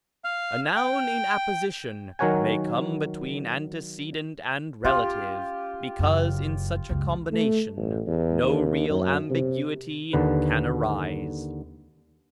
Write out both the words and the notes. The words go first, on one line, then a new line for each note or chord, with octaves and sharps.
A noun in apposition may come between antecedent and relative, because in such a combination no real ambiguity can arise.
F5
G5
D#3 F#3 A#4 C#5 F#5 G#5
C#4 F4 G4
F#1 F#2
C#2 F#2
A3
A1
E2
D#2
F#2
C3
D#2 D3 B4